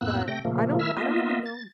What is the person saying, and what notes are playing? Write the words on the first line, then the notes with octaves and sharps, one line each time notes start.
but I don't I don't even know.
F2 A2 A#3 B3 E6 F#6
C3 A3 G5 A#6
A#2 C#3 F3 A3 A#3
D#3 A3 E4 E5 E6 F6
A#3 B3 F4 D#5 E5
A6